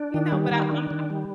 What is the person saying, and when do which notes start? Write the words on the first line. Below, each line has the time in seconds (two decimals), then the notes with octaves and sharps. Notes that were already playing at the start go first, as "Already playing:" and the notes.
You know, but I I'm
Already playing: D4
0.14 D#3
0.32 G3
0.51 D#3
0.71 D4
0.91 D#3
1.10 G3